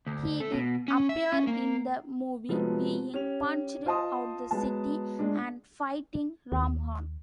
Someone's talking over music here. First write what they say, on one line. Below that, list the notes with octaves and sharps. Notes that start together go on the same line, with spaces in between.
He did appear in the movie being punched out the city and fighting Ramhorn.
D2
A3
B2
C#4
E5
C#4
A#3
C3 F3 F#3 G#3 A3 B3
C#4 G4 F7
F4 C5 D#5 A5 C6 D#6
F#3 G#3 B3 A5
A#2 G#3 D4
D#2